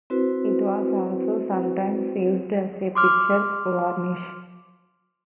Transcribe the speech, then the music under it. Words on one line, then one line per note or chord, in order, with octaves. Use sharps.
It was also sometimes used as a picture varnish.
C4 E4 F#4 B4 C5
C6 D6 F6